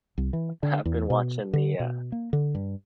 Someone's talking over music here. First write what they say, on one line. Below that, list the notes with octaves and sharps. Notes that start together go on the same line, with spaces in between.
I've been watching the, uh
C2
E3
D3
E2
B2
D3
B2
A#3
D3
G2